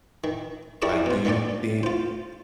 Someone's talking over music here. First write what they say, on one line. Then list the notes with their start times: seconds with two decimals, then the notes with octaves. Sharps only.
like, do you think
0.24 D#3
0.82 E4 G4 G#4 A#4 C#5 D5
1.06 B2 C5
1.25 D3 D#3 C#4 A4 D5
1.83 F4 C5